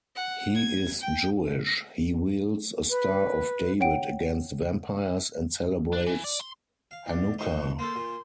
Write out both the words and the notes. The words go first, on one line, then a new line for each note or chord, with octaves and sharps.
He is Jewish, he wields a Star of David against vampires and celebrates Hanukkah.
F#5
G#6
G5
B4
C#5 F#5 G5 D7
D4
E3
D5
C6
F5
E2 D5
D#4 F#4 C5 C#6
A#3 A4 C6
A#2